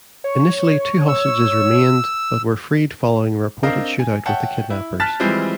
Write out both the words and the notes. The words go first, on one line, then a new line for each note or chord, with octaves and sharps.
Initially, two hostages remained but were freed following a reported shootout with the kidnappers.
C#5
E6
C4 D4 A#4 D#5 F5
G#5
C#5 E5 F#5 G5 A5
E4
A5 F6 F#6 A6 B6
E3 F3 G3 G#3 C4 E4